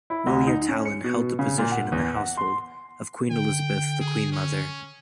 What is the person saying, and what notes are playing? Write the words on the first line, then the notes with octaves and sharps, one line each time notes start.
William Tallon held the position in the Household of Queen Elizabeth The Queen Mother.
E4
D2
D#4
C#4
C#7
B2
C#3
A#2
F#5
E2
F#5
C6
D3 G5
G#4
C#4